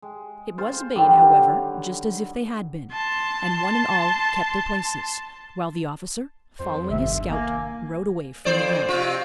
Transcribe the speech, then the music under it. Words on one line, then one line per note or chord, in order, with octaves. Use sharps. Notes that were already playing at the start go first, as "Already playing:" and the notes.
It was obeyed, however, just as if they had been; and one and all kept their places, while the officer, following his scout, rode away from the ground.
G#3
F4 C5
D3 D#3 F#3 G3
A5 C6
F2 C5
G1 C2 G2 D#3 E5
A#3 G#5
F2 C5 D5
C3 F4